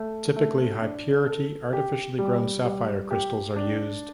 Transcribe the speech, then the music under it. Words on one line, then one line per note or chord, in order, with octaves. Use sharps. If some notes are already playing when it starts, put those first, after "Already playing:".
Typically, high-purity artificially grown sapphire crystals are used.
Already playing: A3
A3
D4
A4
G4
G3
G3
G4
D4